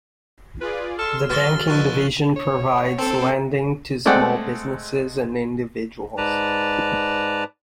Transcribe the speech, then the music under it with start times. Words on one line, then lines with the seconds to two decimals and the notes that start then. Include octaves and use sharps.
The Banking division provides lending to small businesses and individuals.
0.61 F4 G#4 B4 D5
0.99 A4 C6 E6 F6
1.29 F#3 G#3 F#4 B4 F6 A6 G7
1.67 A#2 F3 C#4 E4 C#6 F#6
2.36 C#5
2.99 C4 A4
4.06 G#3 A3 C4 D5 F#5 G5
6.18 G#2 B4 D5 A5 A#5